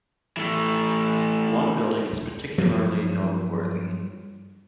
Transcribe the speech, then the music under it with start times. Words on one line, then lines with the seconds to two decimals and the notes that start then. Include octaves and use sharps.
One building is particularly noteworthy.
0.37 E3 A3
2.58 G2 F3 F#3